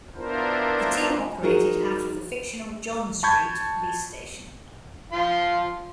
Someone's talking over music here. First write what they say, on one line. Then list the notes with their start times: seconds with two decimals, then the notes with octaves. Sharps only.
The team operated out of the fictional John Street police station.
0.15 B3 D4 E4 F4 A#4 C5
1.43 D#4 F#4 G#4 A#4 C5
3.23 A5 B5 C#6 G6 G#6
5.12 F3 F4 C6